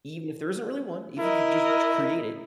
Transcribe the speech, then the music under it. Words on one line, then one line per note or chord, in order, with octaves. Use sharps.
even if there isn't really one, eve if you just create it
E4 A#4 D#5